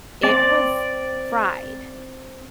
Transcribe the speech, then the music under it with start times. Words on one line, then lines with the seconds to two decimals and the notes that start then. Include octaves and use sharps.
it was fried.
0.23 C4 D5